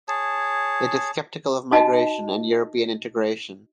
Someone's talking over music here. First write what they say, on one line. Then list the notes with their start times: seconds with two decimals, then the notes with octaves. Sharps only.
It is skeptical of migration and European integration.
0.08 G#4 C#5 A5
1.72 D#4 F#4 D#5 A5